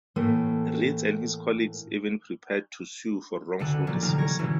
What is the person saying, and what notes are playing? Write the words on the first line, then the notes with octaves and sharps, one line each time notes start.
Ritz and his colleagues even prepared to sue for wrongful dismissal.
A2 E3 A3 A#3
F#1 D2 D3 A4 F#5 D#7
A#2 F3 F#3 A3 A#3 D4
C2 D3 E3 D#4 F6
C#6 G#6 A#6 D7
B2 D3 E3 C#4 E4